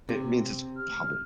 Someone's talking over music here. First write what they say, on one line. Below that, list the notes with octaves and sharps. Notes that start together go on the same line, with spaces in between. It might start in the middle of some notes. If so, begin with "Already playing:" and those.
It means it's public,
C3
F6